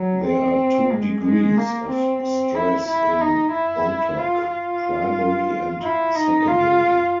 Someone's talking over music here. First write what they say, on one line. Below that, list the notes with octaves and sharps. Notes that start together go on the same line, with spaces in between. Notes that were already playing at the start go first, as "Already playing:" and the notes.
There are two degrees of stress in Bontoc: primary and secondary.
Already playing: F#3
C4
G#3
G#3
A#3
C4
C4
E4
E4
D#4
E4
F4
F4
E4
D#4
F4